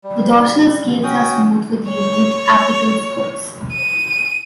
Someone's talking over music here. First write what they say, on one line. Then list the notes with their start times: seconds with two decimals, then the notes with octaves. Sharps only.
The dorsal scales are smooth with unique apical scores.
0.04 G3
1.03 C#4 F#4 G5 D#6
1.89 C#5
3.72 D#7